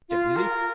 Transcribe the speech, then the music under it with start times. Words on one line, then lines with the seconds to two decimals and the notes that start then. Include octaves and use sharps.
"Get busy."
0.09 F4
0.36 A#4